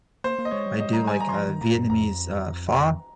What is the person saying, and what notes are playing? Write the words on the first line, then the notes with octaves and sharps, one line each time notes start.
I do, like, uh, Vietnamese, uh, pho,
A#3 C5
A#3
D#5
G#3 C#5
G3
G3 D#5
A#5
G#5
A#5
C6
F3 A#5
D#3
A#2 A#5
G2
F2 A#5